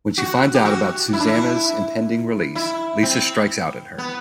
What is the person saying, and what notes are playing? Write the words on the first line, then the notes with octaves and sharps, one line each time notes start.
When she finds out about Susanna's impending release, Lisa strikes out at her.
F#4
G4
F#4
E4
D4
E4
E4
C4
B3